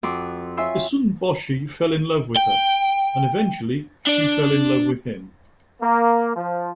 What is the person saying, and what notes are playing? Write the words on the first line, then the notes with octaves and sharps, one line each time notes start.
Issun-boshi fell in love with her, and eventually she fell in love with him.
F2 F#4 C6 D6
F4 C#5 E5 G#5 C6 E6
G5
D4 D5
A#3
F3